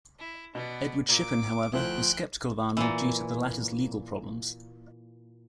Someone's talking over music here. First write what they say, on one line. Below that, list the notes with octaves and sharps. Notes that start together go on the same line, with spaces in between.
Edward Shippen, however, was skeptical of Arnold due to the latter's legal problems.
E4
B2 B3 D5
A#2 D6
D2 F3 E4 C5 G5 F#6
A#2 E3